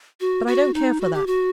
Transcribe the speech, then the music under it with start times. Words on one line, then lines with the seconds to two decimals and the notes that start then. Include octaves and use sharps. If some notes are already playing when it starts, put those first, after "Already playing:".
But I don't care for that.
0.21 F#4
0.47 F#4
0.74 D#4
1.01 F#4
1.14 G4
1.27 F#4